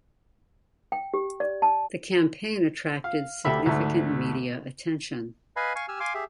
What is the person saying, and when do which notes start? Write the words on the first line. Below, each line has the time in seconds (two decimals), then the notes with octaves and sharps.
The campaign attracted significant media attention.
0.92 G5
1.14 G4
1.40 D5
1.62 A5
3.04 F5
3.45 D2 G4 A4 E5 B5
3.66 D2 G#2 A3
5.56 B4 D#5 F5 G#5 B5
5.75 F5 G#5 C#6
5.88 G4 G#5 E6 F6
6.00 F5 G#5 C6 D6
6.14 G4 G#4 E5